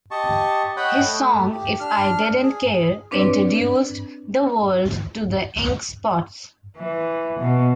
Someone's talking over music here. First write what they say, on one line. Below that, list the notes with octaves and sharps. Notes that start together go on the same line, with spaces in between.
His song, "If I Didn't Care", introduced the world to The Ink Spots.
G4 D#5 A5 C#6
C#5 D#5 F#5 G5 B5
A3
G4
D4 F6
G#4
C4 D4 B4 C#5 D5
E3
B2